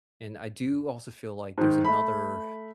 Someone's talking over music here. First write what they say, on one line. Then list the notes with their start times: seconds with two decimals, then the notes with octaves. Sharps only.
and, I do also feel like there's another
1.58 G#2 D#3
1.85 A3 B5